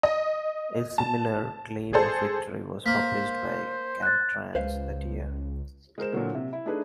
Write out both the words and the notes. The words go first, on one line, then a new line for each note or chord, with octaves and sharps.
A similar claim of victory was published by Camp Trans that year.
D#5
A5
G#4 A4 C5
A#3 C5 B6
F#6 A6
C#2 B4 C5 F5
G#3 A#4 C5 E7
A#2 D3 F#3 A#3
C3
E4
A3 D4 D#4 G#4 B4